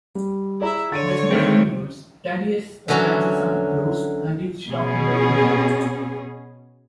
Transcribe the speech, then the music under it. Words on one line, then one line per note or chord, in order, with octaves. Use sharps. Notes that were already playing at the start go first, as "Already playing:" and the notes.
As the film rolls, Thaddius advances on Rose and is stopped by Jack.
G3
E4 G#4 D5 E5 A#5
D3 C#5 C6 A6 D7 D#7
D#3 A3 C4
D3 E3 F#3 C#4 F#4 A5
B2 C#4 G#4